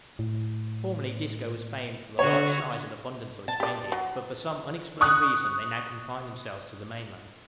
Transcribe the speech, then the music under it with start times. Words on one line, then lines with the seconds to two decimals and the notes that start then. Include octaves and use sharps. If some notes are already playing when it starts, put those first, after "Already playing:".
Formerly Disco was famed for the large size and abundance of its reindeer; but for some unexplained reason they now confine themselves to the mainland.
0.19 A2
2.19 D3 F#4 C#5
3.48 A5
3.60 G4 D5
3.92 F#3
5.01 C#6 D#6 F#6